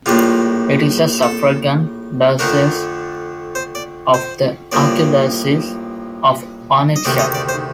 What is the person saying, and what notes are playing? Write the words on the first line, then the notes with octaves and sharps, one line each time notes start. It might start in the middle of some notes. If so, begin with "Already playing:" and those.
It is a suffragan diocese of the Archdiocese of Onitsha.
A#1 A2 G3 A#3 D4 F4
A4
F2 D3 A3 D4 A#4
C5
D5
C5
A1 G2 F3 A#3 D5
D#5
D2 C3 D#3 D5
D#5
D5
C5